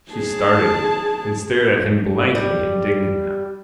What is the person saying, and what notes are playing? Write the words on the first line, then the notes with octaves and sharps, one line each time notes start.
She started, and stared at him blankly indignant now.
G#4 A5
G3